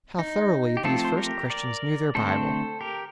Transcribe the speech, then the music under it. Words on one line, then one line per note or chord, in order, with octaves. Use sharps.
How thoroughly these first Christians knew their Bible!
D#4
G4
F3 A3 C4 F4 A4
C5
G4 A#4
A#4 D5
D3 A3 C4 A4 C5
G4 A#4